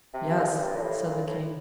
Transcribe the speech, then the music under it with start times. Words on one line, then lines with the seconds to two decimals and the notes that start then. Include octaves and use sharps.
"Yes," said the King.
0.13 C3
0.37 A#2
0.44 C3
0.52 A#2
0.59 G2
0.75 A#2
0.82 A2
1.05 A#2
1.27 A2